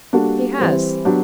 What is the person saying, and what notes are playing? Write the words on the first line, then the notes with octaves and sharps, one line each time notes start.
"He has."
G3 A#3 D4 F#4 A4
E3 G3 C4
F#3 B3 D4 G4